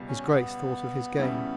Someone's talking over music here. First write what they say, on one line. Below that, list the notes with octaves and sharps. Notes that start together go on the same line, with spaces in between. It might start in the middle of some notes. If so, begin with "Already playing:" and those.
His Grace thought of his game.
Already playing: C#2 B2 G3
C#4
B3
E2 C#3 G3 C#4 E4